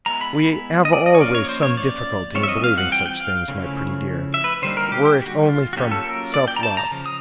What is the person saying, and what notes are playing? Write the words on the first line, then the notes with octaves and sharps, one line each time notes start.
"We have always some difficulty in believing such things, my pretty dear, were it only from self-love."
G#3 B3 E4 A#5
B5
B5
D#5
D5
D#5
C#5
F3 A#3 C#4 F4 D5
C#5
C5
C#5
D5
E3 G3 C4 F4 C#5
E5
D#5
F5
F#5
G5
G5
F5
C#3 F3 A3 C#4 E4
E5
B4
D3 G3 A#3 D#4 C5
A#4
G4
G4
F#4
F4
F#4
F#3 A#3 C#4 F4 G4
A4
A#4
D5
G5
A#5
A5
A#5
C#3 F3
D#6